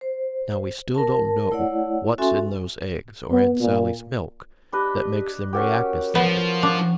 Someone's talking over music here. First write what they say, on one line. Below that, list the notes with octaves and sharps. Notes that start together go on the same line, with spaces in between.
Now we still don't know what's in those eggs or in Sally's milk that make them react as they do.
C5
A#4 A5
A3 E4 C#5 D5 F#5
C#4 F#4 A4 E5 G#5 C6
B3
A#2
D4 G4 B4 D#5
C#4 F#4 G4 A#4
F3 B3
D4